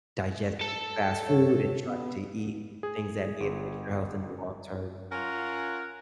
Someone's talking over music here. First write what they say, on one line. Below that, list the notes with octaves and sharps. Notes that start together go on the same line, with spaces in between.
digesting fast food and trying to eat things that may affect your health in the long term.
A4 A5
C#5
B3
G#4
G1
C#4 F4 A#4 F#5